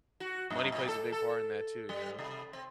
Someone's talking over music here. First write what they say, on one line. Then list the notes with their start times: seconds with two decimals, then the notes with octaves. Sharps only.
money plays a big part in that too, you know?
0.20 F#4
0.50 F#2
0.72 A2
0.88 A4
1.12 A4
1.89 G3
2.19 C3
2.53 C4